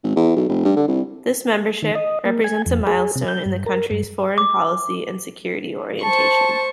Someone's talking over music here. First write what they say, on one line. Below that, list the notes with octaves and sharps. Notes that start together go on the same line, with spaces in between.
This membership represents a milestone in the country's foreign policy and security orientation.
G#1
E2
B1
F1
G2
D3
C2
D#3
D#5
A#3
G#5
F2
G#4
C3
G6
G2
A#4
G2
D6
C5 A5 C#6